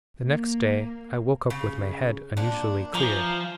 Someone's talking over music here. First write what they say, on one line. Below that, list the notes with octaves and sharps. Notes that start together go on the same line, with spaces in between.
THE NEXT DAY I woke up with my head unusually clear.
A#3
C#3
A#2 D4
E3 F3 G#5 A#5